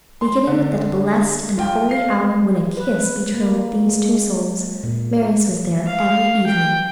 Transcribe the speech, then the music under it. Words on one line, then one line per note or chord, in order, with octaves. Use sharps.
Beginning with that blessed and holy hour when a kiss betrothed these two souls, Marius was there every evening.
C6
D3
F4 G5
F5 C7
B4
A#3
G#3
A#2
F5
G5